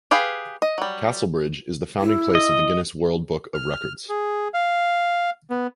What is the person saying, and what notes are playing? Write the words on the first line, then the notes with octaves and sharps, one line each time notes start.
Castlebridge is the founding place of the Guinness World Book of Records.
G4 G#4 B4 F5
D#5
F#3 G3
E4
D#5
F6
G#4
F5
B3